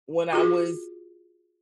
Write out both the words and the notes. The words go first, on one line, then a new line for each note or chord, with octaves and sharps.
when I was
F4 F#4 G#4